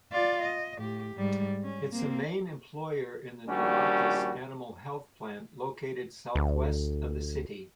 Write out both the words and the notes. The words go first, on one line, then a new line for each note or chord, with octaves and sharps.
Its main employer is the Novartis Animal Health plant located southwest of the city.
F4 D5
D#5
A2 G4
G#2 G3
C#4
A#3 C4
A#1 D#2 G3 C#4 D4 F#4
D2